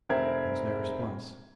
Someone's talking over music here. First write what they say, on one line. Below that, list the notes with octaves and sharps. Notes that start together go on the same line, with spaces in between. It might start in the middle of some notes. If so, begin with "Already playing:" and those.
There was no response.
F1 C4 A#4 E5 G#6